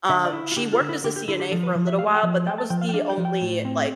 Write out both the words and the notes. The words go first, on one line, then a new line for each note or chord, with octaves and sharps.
um, she worked as a CNA for a little while, but that was the only, like,
D3 E5
D5
E4
F4
D3 G4
F4
D3
E4
D3 G4
G4
D3 E4
G4
F3 A4
B4
F3
E5
A3 F5
G5
F3
A3 G5
A5
F3 G5
F5
G5
D4 F5
G5
F3
G5
A2
C4